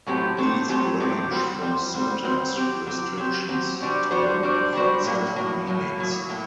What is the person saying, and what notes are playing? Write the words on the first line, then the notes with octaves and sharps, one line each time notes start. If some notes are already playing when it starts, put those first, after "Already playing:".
These range from syntax restrictions to non-offensive meanings.
A2 F#3 A3 C4 G4
A2 F#3 A3 C4 G4
A2 F#3 A3 C4 G4
A2 F#3 A3 C4 G4
G3 C4 F#4 C5
G3 C4 F#4 C5
G3 C4 F#4 C5
G3 C4 F#4 C5
F#3 C4 G4
F#3 C4 G4
F#3 C4 G4
F#3 C4 G4
G3 D4 F#4 C5
G3 D4 F#4 C5
G3 D4 F#4 C5
G3 D4 F#4 C5
A2 F#3 A#3
A2 F#3 A#3
A2 F#3 A#3
A2 F#3 A#3
A2 F#3 A#3